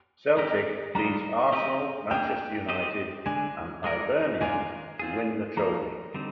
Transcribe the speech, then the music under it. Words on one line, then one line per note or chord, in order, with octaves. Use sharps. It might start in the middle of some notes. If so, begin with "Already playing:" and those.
Celtic beat Arsenal, Manchester United and Hibernian to win the trophy.
G#3 C4 G4 A#4 D#5
G3 D4 F4 C5 D#5 A#5
C4 G4 A#4 D#5
A#3 D4 G#4 G5
C4 G4 C5 D#5
D3 G#3 D4 G#5
G#3 D#4 A#4 D5
D#3 G#3 D4 F4 A#4 G#5
C4 F4 G#4
F3 A#3 D#4 A#5
D3 G3 C4 D#4